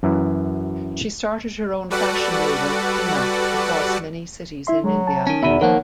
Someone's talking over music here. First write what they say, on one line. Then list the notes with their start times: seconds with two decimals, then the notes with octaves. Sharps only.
She started her own fashion label "Inga" across many cities in India.
0.03 F#2 E3
1.90 G3 F#4 A4 B4 D5 F#5
4.67 E4 E5 C6
4.84 F#3 G#3
5.07 A5
5.27 D#3 C#4
5.43 E2 B2 D#3 E5 B5
5.61 D#3 F3 A#3 A#4 C#5 F#5